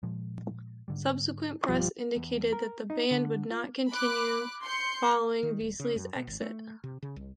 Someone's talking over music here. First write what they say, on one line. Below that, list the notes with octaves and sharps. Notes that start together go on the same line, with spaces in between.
Subsequent press indicated that the band would not continue following Vesely's exit.
A#2 F3 G#3
G#2 D3 G3
B1 G2 F3 G3
E2
A#4
D#4
D3
F4
B5 D6 F#6
C6 G6 C#7
D#3
D#1
C#3
F#2
B2
G#1
A3
C3
C#3
C2